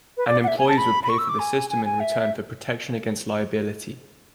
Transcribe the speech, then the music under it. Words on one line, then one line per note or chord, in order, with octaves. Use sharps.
And employers would pay for the system in return for protection against liability.
B4
D5
F#5
E5
G#5
A5
B5
B5
C#6
E6
D6
G#5
G#5
G#5
E5